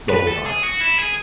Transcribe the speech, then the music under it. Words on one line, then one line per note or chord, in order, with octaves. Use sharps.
the whole time.
B4
A4
G#4
F#4
E4
G#4